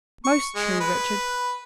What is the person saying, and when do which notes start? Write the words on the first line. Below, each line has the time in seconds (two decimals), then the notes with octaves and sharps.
'Most true, Richard.
0.25 C#6
0.55 G#3
0.80 B4